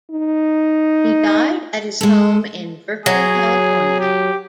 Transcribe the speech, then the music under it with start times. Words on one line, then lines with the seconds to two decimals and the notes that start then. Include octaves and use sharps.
He died at his home in Berkeley, California.
0.11 D#4
2.01 G#3 A4
3.06 F#3 G#4
4.00 G4